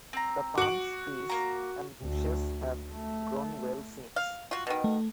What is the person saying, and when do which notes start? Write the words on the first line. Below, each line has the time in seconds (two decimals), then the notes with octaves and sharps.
The palms, trees and bushes have grown well since.
0.13 C4 A#5
0.58 F#4 D6 F#7
1.29 A#3 A#5
2.03 D2
2.92 A3
4.16 F5
4.51 F4 F#4
4.67 B2 D#3
4.84 A3